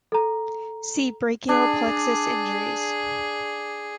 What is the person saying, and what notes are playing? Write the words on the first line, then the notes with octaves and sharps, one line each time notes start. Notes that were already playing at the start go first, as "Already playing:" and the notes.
See brachial plexus injuries.
A4 A#5
D4 G#4